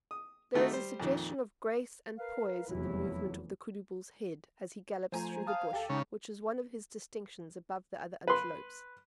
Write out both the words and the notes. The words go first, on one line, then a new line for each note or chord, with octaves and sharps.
There is a suggestion of grace and poise in the movement of the koodoo bull's head as he gallops through the bush which is one of his distinctions above the other antelopes.
D#6
D#3 A3 D#4 F#4
G3 C5
F2 A#2 D#3
A#4 B4 F5
F1 E2 F#3 E4
F3 A3 F4 C5 G#5 A#5
F5 A5 D#6 F6
D2 G4 A4
C#3 G#3 D#4
B4 C6